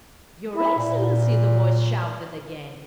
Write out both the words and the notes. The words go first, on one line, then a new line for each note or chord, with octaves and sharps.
"Your Excellency!" the voice shouted again.
E4
A#2